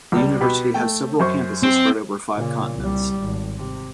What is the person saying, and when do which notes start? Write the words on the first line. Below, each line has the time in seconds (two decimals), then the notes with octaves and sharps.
The university has several campuses spread over five continents.
0.12 C#2 G3
0.40 B2 B3 G4
0.74 A3 G5
1.20 F#2 C5 C#6
1.63 C4
2.36 A#2 C#3
2.76 C2 G3
3.21 G#1
3.58 C3